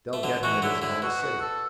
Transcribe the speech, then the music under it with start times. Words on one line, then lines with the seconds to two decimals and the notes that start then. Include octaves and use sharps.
"They'll get him at his home city."
0.13 A3
0.23 D3 F#3
0.43 E3 A3 F#4
0.62 D3 F#3 E4
0.82 A2 D3 E4
1.02 B2 F#4
1.22 F#4
1.41 A4